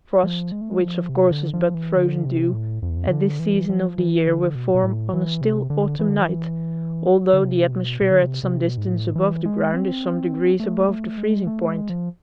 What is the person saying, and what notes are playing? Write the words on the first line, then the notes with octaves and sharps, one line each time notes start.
Frost--which of course is but frozen dew--at this season of the year will form on a still autumn night, although the atmosphere at some distance above the ground is some degrees above the freezing point.
F3
G#3
A3
G#3
F3
C3
D3
F3
E3
D3
C3
A2
F2
E2
F2
C3
D3
E3
F3
E3
D3
B2
B2
A2
E3
C3
D3
E3
D3
E3
D3
C3
B2
B2
D3
C3
C3
B2
G#2
A2
E3
G#3
C4
A3
A3
G#3
A3
G#3
F3